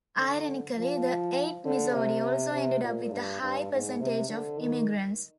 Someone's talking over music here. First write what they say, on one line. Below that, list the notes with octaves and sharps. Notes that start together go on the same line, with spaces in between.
Ironically, the Eighth Missouri also ended up with a high percentage of immigrants.
D3
F3
D3
C3
C3
A#2
G2
G2
G#2
C3
D3
D#3